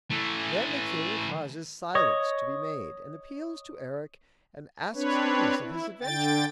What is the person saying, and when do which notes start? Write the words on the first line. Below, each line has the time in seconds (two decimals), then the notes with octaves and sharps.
Then the King causes silence to be made, and appeals to Erec and asks news of his adventures.
0.11 E3 A3
1.95 C#5 D#5
4.94 C4 D4 B4 C#5
5.60 E4
6.01 D3 G5 A6